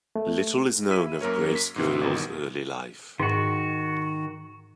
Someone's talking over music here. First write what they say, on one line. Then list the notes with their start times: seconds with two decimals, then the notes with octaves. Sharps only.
Little is known of Bracegirdle's early life.
0.16 A3
0.89 E4 E6 B6 D#7
1.21 F#2 A#3 A#4 C#5
1.55 B6
1.76 G#2 C3 E3
2.01 G1 B2 D#3
3.20 G#2 D#3 F#4